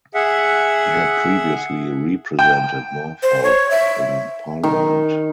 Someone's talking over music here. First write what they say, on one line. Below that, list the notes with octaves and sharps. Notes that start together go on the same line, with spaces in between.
He had previously represented Norfolk in Parliament.
G#4 E5 F#5
G5
C5
C#5
E5
D#3